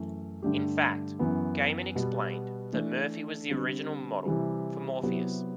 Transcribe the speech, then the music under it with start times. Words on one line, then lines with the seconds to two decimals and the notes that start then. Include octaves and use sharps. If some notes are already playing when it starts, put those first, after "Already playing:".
In fact, Gaiman explained that Murphy was the original model for Morpheus.
Already playing: F#2 E3 A3
0.43 G2 D3 A3 D4 G4
1.19 F#2 E3 B3
1.95 B2 G3 B3
2.73 E3 A3 D4
3.50 D3 G3 C4
4.26 C3 E3 G3
5.03 C3 F#3 B3 E4 G4